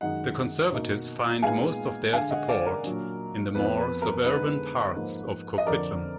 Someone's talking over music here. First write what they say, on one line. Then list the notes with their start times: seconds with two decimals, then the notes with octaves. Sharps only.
The Conservatives find most of their support in the more suburban parts of Coquitlam.
0.01 F#2 D#3 G#3 D#4 D#5 F#5
0.72 B2 A#3 D#4
1.42 A#2 G#3 B3 D#4 F5 G#5
2.13 D3 G#3 D4 F5 G#5
2.31 D#5 F#5
2.48 D5 F5
2.66 A#4
2.84 A#2 F#3 D4
3.54 F2 F3 B3 B4
3.79 B4
4.02 A#4
4.25 D3 G#3 B3 D#4 B4
4.96 G#2 F3 A#3 D#4
5.58 D#5
5.66 F2 D3 F3 A#4 D5